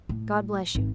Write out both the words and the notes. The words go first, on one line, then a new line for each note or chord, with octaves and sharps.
'God bless you!
A2
G#1